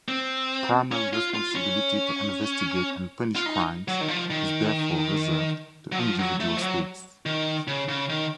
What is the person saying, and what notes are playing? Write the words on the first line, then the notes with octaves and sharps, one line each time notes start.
Primary responsibility to investigate and punish crimes is therefore reserved to individual states.
C4
C#4
F4
F4
C#4
F4
D#4
F#3
D#3
F3
D#3
F#3
F3
F#3
A3
F3
F#3
D#3
C#3
C#3
D#3